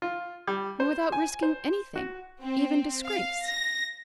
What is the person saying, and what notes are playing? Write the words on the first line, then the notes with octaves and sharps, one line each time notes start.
And without risking anything--even disgrace!
F4
G3
C5
G#5
C5
F#4
C4
F5
A#6